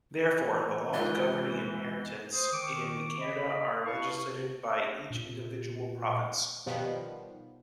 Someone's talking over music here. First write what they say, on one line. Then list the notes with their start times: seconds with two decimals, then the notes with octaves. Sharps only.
Therefore, the laws governing inheritance in Canada are legislated by each individual province.
0.19 E3 C#7
0.94 G#2 F4 F#6 G6 G7
2.32 C5 D#6
2.52 D#3 C#6 D6
3.19 D#5 B5
3.85 E4 B4 F5 A5 C#6
4.10 C3
5.10 A#2
6.66 B2 D#3 F3 G3 B3